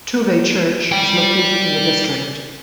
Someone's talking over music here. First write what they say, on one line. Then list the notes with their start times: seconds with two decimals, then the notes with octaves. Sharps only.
Tuve Church is located in the district.
0.92 D5 G5